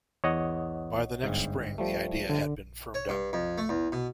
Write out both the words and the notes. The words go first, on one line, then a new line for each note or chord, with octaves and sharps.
By the next spring the idea had been firmed-up.
E2 C#5 D#5 F#5
G1 G#2
F3 G3 A3
D3
C#5
G2
F2
A3
E2
B2